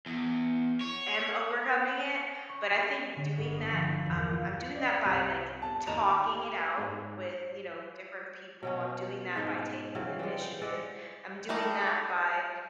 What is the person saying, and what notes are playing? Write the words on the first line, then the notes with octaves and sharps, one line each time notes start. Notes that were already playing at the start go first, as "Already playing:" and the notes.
am overcoming it, but I think doing that um, I'm doing that by like talking it out with, you know, different people; I'm doing that by taking the initiative; I'm doing that by
E2
C#5
C#6
G4
B6
D3
G1
D#6
F3
E4
E2
A#3
F4
D5 D#5
C2
A5
D#2 G3 D#5 A#5 E7 F7
G#2
B2 F#3 C#4
G#2 D#4 D#5
C#3 E3 F#3 C4
G3 G#3
G5
G#3 D5 E5 F#5
G3 A3 D#4